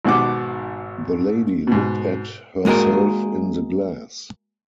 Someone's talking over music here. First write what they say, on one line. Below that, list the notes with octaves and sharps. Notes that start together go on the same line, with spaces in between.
The lady looked at herself in the glass.
G#1 G#2 B2 F#5 D6
G#2 B2
G#3 A#3 F#4 G#4 A#4